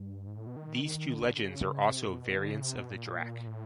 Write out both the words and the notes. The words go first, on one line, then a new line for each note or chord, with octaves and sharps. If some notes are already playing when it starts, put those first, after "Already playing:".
These two legends are also variants of the drac.
Already playing: G2
G#2
A2
B2
D#3
D#3
D3
D3
C#3
C3
B2
D3
C#3
C3
B2
A#2
A2